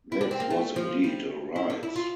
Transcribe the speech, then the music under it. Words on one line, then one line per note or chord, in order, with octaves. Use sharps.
This was indeed a rise.
E4
D4
C4
A#3
A3
F3
G3
E4
D4
E4
F4